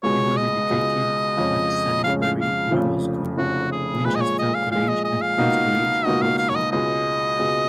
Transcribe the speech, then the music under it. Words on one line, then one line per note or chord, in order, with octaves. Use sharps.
He was educated at Salisbury grammar school, Winchester College and Queen's College, Oxford.
C#2 B2 G#3 C#5
D#5
C#2 B2 G#3
F2 C#3 G#3 C#4
F2 C#3 G#3 C#4 F5
F5
F5
F1 F2 C#3 F3
F1 F2 C#3 F3 F#4
G#4
A#2 F3 G#3 B4
D#5
C#5
D#5
F5
A#2 F3 G#3 F5
D#5
D#5
F5
C#2 B2 A#3 D#4 F#4
C#2 B2 A#3 D#4 F#4 D#5
F5
F5
C#5
D#5
C#2 B2 G#3 D#5
C#2 B2 G#3